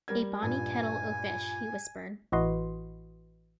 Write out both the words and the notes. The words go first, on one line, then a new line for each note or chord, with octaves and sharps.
"A bonny kettle o' fish," he whispered.
G3 A#4 G#6
G2 A#2 G#5
A1 E3 F#4 B4 D#5 C6